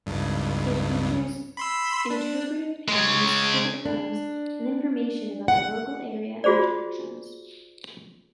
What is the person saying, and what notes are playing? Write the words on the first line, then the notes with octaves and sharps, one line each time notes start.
It features interpretive panels, short films, and information about the local area and attractions.
G#1 C#2 G2
B5 C6 E6
D4
G#3 C#5
D4
F#5
F4 F#4 G#4 C5 D5